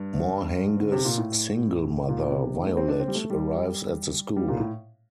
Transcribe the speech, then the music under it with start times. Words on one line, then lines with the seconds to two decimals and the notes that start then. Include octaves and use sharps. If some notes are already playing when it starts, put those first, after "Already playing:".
Morhange's single mother, Violette, arrives at the school.
Already playing: G2
0.80 D3
0.92 C3
1.05 A#2
1.18 A2
2.09 A#2
2.31 C3
2.54 D#3
2.66 A3
2.77 C4
2.88 D4
3.00 C4
3.08 G3
3.15 A3
3.30 G3
4.36 G3
4.48 A#2
4.59 A2